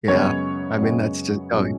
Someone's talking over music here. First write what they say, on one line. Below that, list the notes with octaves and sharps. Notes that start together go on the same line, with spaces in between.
Yeah, I mean, that's just oh y
F#2 C#3 G#3 B3 C#5
F#2 C#3 G#3 B3
B1 A#2 G#3 C#4